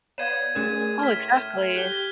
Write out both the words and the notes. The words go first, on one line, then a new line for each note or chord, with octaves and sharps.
Oh, exactly.
B3 C#5 D5 F5 G#6 D#7 E7
A3 C#4 G#4 A#4 E7
A2 C6 F6 B6
G4 F#6 G6 G7